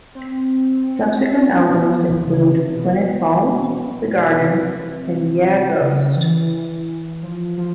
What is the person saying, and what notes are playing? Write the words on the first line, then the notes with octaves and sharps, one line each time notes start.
Subsequent albums include "When It Falls", "The Garden", and "Yeah Ghost".
C4
B3
C#3
C3
B2
B2
C3
C#3
E3
F3
F3